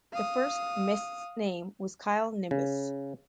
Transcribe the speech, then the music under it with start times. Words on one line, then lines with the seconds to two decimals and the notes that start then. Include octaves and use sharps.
The first Mist's name was Kyle Nimbus.
0.12 F5 D#6
2.51 C#3